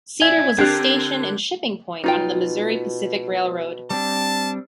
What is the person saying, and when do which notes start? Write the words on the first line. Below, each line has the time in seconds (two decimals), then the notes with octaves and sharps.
Cedar was a station and shipping point on the Missouri Pacific Railroad.
0.22 D5 E5 G#5 G#6
0.58 D3 C4 D4 G4 A#4 F#6
2.04 B2 D#4 F4 G5
3.90 G3 C4 D4 A5